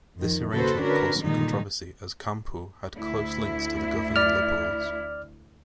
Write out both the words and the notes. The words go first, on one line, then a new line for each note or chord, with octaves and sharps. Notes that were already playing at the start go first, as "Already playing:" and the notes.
This arrangement caused some controversy as Campeau had close links to the governing Liberals.
F2 D#3 F3
D#2 C#3 F#4 A4 B4 C5
D3 C#4 D4 F#4 A#4 B4
A#2 D3 D#3 G3 G#3 D#4
D2 E4
D5 F6